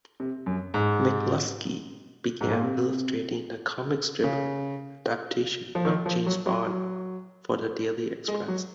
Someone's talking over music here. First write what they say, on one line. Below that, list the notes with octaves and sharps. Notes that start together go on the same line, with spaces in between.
McLusky began illustrating the comic strip adaptation of "James Bond" for the "Daily Express".
C3
F#2
G#2
G#2
A#2
C3
C#3
F3
D#3
F3
F#3
F#3
F#3
G#3
F#3